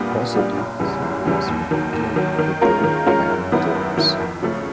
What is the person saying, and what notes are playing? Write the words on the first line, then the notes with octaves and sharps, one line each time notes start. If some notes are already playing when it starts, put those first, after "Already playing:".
Possibly some rooms were entered from within by ladders.
Already playing: A#2 G3 B3 D4 F4
A#2
G3 B3 D4 F4
F#1
E2 C#3 E3 G3
F#1
E2 C#3 E3 G3
D#2
D#3 F#3
D#2
D#3 F#3
D#3
G#3 C#4 F4 A#4
D#3
G#3 C#4 F4 A#4
F#2
D#3 F#3 B3 E4
F#2
D#3 F#3 B3 E4
F2
C#3 F3 A3 C#4